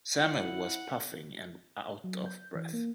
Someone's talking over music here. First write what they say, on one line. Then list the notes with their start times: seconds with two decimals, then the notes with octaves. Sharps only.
Samuel was puffing and out of breath.
0.20 E4 F#5
2.04 F#3
2.26 G6
2.55 E3
2.73 A#3